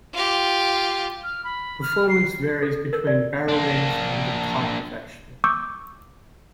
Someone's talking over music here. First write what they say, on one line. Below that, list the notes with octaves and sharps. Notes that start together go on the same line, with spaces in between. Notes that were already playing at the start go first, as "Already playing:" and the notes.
Performance varies between barrel length and the type of action.
F4 G4
F6
B5
F6
C7
A4
A#4
D5
A#3 D4
C#6 D6 E6 G6